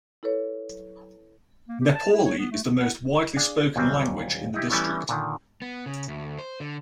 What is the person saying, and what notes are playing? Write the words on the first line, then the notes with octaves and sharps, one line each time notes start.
Nepali is the most widely spoken language in the district.
E4 A4 B4 C#5
A#3
G4
A5
E4
C#5
B3
A3
B3
F#5
D4 G#4 F5 G#5
D#2 A#2 F#3 G3 C4
D#4 E4 G4
E3 G3 A3 B3 C#4 E4
A#2 D3 D#3
B3
C#3
D2
C5
D3